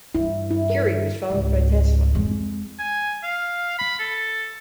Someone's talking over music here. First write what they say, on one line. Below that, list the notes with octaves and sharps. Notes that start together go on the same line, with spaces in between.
Curie was followed by Tesla.
G2 E4
E4
A#4
C#2 G#2
F2 G#3
G#5
F5
B5
A4